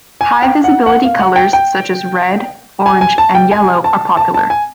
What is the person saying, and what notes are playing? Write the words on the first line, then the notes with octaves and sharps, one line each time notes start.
High-visibility colours such as red, orange and yellow are popular.
G#5
G5
F#5
F#5
F5
F#5
G5
G5
G#5
G#5
A5
G5
G#5
A5
A5
A5
G#5